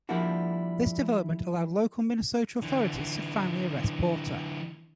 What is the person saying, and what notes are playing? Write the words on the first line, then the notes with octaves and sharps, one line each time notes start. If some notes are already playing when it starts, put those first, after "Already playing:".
This development allowed local Minnesota authorities to finally arrest Porter.
F3 G3 A#3 D4 E4 F#4
D3 E3